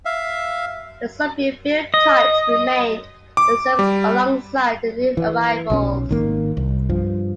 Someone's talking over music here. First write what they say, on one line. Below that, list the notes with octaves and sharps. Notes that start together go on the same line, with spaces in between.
The Soviet-build types remained in service alongside the new arrivals.
E5 F5
D#5
D6
G3
E3
B1 D#3 C#4
G#1 D#3 A#3
C2
G2 F3